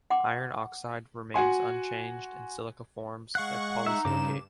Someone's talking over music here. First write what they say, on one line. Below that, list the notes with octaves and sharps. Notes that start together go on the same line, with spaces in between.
Iron oxide remains unchanged and silica forms a polysilicate.
F#5 C6 D6
F#4 F#5 G#5 C6
G#3 F5 F#5 C#6 F#6
D#4 E5
G2 C#3 D6 E7